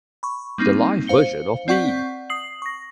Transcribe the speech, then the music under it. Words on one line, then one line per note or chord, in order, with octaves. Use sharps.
The live versions of Me!
B5 C#6
G3 A#3 C4 D#4
C5 F5 C#7 G7
C4 D5 F#5 C#6 G6 B6
D#6 C7 F#7
C#6 A#6